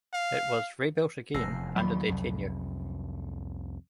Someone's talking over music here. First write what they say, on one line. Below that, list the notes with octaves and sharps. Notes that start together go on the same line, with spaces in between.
It was rebuilt again under their tenure.
F5
F1 E2 E6 A#6 C7
D#2 F3 F#3 B5
C2 F2